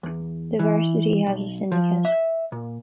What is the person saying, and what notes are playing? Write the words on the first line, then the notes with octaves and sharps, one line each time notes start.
The varsity has a syndicate.
E2
E3
B1
F3
E5
A#2